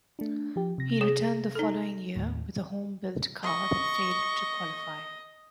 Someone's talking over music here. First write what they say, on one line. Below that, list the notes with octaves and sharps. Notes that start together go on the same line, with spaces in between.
He returned the following year with a home-built car that failed to qualify.
A3 D4
F3 G4
C3 A#6
G#4
D#4 A4
D#2 A2
D#5 C#6